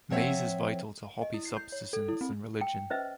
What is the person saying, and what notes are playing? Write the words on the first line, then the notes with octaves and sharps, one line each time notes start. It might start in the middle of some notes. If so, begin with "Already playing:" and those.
Maize is vital to Hopi subsistence and religion.
F3 C4 C#5 E5 F#5
D#5
E4
C7
G6
C#5
A4
E4
C4
G5
C#4 B4 C5 D#5 E5